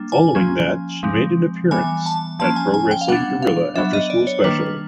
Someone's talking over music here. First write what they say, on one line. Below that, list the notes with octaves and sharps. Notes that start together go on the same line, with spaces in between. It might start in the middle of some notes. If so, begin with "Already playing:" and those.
Following that, she made an appearance at Pro Wrestling Guerrilla After School Special.
Already playing: G3 A#3 D4
G#5
F3 A#3 C#4
F3 G#3 C4
E3 G3 B3 G#5
A5
F3 A#3 C#4 A5
G#5
G#5
G5
F5
G3 B3 D4 F#5
F5
F#3 B3 D4 E5
D#5
D5
C#5
D#3 G3 A#3 D4 B4